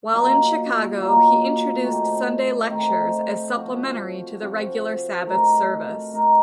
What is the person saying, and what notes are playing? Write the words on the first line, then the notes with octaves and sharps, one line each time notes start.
While in Chicago he introduced Sunday lectures as supplementary to the regular Sabbath service.
A#2 F#3 A#3 D#4
A#2 F#3 A#3 D#4
D#3 A3 C4
D#3 A3 C4
F3 C4 F#4
F3 C4 F#4
A3 D#4 A#4
A3 D#4 A#4